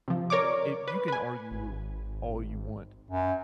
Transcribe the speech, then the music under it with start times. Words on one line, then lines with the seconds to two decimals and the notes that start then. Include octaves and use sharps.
i you can argue all you want
0.08 C3 F3
0.30 A#4 C#5 D5 D6
0.88 B4
1.08 B4 G#5
1.51 G#1
3.11 F#2